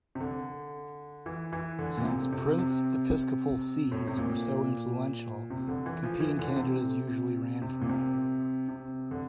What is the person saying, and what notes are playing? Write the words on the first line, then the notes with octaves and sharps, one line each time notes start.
Since prince-episcopal sees were so influential, competing candidates usually ran for them.
C3
D3
E3
E3
D3
A#2
C3
C3
C3
A2
C3
A#2
C3
D3
E3
F3
E3
D3
C3
C3
A#2
C3
C3
D3